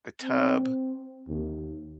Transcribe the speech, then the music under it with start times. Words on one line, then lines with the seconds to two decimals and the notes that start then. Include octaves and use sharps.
the tub,
0.22 C4
1.27 D#2